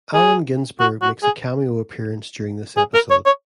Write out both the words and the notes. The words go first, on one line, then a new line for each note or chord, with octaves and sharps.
Allen Ginsberg makes a cameo appearance during this episode.
G#4
F#4
F#4
G#4
G#4
A#4
C#5
C#5